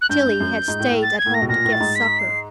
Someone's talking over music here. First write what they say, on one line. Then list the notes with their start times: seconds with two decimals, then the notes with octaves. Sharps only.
Tillie had stayed at home to get supper.
0.01 F#6
0.09 G2 G6
0.25 G2
0.40 F#2
0.68 G#2
0.79 A2
0.91 A2
1.02 A6
1.18 G#6
1.26 A2
1.34 A#6
1.42 B2
1.49 A#2 A#6
1.65 A2
1.72 A6
1.80 G#2
1.95 B6
2.19 C7